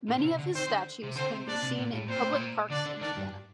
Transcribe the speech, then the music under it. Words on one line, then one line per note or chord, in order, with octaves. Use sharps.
Many of his statues can be seen in public parks in Vienna.
A#2
D3
C3
D3
D#3 C4 C5
D3
C3
D3 C4 C5
C3
A#2 D4 D5
C3
A#2
A2
A#2 C4 C5
A2
A#2
D3 D4 D5
D3
D#3 D4 D5
G2